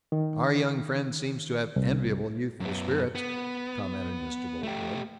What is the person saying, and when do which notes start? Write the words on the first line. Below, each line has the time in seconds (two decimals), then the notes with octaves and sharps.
"Our young friend seems to have enviable youthful spirits," commented Mr. Boltwood.
0.12 D#3
1.76 C2
2.60 F#2 B3
3.15 B3
4.63 A3 G4